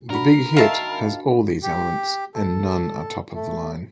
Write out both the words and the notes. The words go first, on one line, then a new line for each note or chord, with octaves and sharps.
'The Big Hit' has all these elements, and none are top of the line.
D4 F#4 A#4 B5
D#3 E5 F5 A5
G4
A4
A3